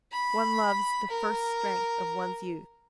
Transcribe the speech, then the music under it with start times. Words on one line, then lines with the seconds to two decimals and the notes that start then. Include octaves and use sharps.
One loves the first strength of one's youth.
0.13 B5
1.10 A#4